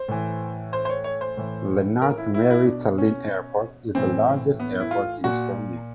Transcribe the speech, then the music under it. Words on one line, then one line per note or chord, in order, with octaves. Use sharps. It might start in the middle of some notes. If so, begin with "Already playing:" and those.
Lennart Meri Tallinn Airport is the largest airport in Estonia.
Already playing: C5
A2 E3
C5
C5
C#5
C#5
C5
A2 E3
A#4
E4
E4
E4
B2 D4
C#4
A2 E3 C4
B3
E4
F4
A#2 F#4